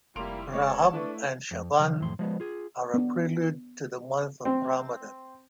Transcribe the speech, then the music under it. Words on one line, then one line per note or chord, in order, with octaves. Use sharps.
Rajab and Sha'ban are a prelude to the month of Ramadan.
F1 G3 A#3 E4 C6 D7 F7
G#3 C4 C#5 D5 A5
A3 D4 E4 B4 C#6
F2
C#3 F3
F2 A2 C6
F3 G#3 B3
F4 G#4
B3 D4
C4